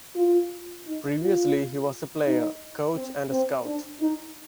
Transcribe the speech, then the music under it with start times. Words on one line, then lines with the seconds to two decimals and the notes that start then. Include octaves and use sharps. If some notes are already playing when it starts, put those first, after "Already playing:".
Previously, he was a player, coach, and scout.
0.16 F4
0.86 D#4
1.22 F4
2.26 D#4
2.96 C4
3.31 C4
3.65 D4
4.01 D#4